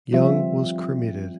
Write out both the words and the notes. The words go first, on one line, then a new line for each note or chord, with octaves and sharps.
Young was cremated.
D#3 F3 G3 C4 F4 E5